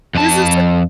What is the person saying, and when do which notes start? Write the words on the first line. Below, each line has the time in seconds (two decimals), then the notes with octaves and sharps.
This is
0.15 F2 A5